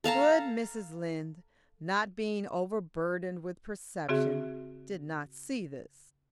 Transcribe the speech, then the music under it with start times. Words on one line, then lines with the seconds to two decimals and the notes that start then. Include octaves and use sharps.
Good Mrs. Lynde, not being overburdened with perception, did not see this.
0.04 A4 F5 A5 A#5
4.09 C#3 C4 F#4 G#4 E5